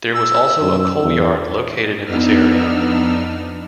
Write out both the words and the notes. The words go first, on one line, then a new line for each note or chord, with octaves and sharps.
There was also a coal yard located in this area.
E6
F#2
E2
F2 B3 D4 D#4 E6 F6